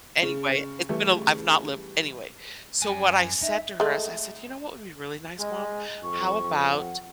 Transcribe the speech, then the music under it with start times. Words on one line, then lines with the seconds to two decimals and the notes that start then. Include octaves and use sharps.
anyway, it's been a l I've not lived Anyway, so what I said to her is, I said, "You know what would be really nice, Mom? How about
0.23 C#3
0.89 E3 G3 A3
2.82 F#2 G#5
3.42 D#4 E5
3.80 G#3 A3
5.39 G#3 D#5
6.03 F2 C#6
6.72 F#5